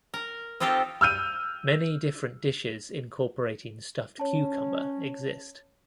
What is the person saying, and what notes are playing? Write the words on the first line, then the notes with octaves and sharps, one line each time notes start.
Many different dishes incorporating stuffed cucumber exist.
A#4
C4 D#4 F4 G4 A4
E6 F6 G6 D#7
C#4 C#5 A5